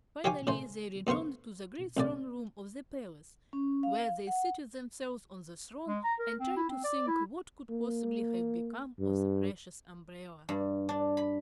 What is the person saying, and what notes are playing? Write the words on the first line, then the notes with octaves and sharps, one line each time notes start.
Finally they returned to the great throne room of the palace, where they seated themselves on the throne and tried to think what could possibly have become of the precious umbrella.
G4 C#5 F5 G5 G#5 D6
A2 C#3 C5
D2 B3 C5 F5 C#6
C2 A2 D5
C#4
F5
F#5
G#3
A#5
A#4
C4
E4
C4
D5
E4
A#3
G2
G2
D4
B5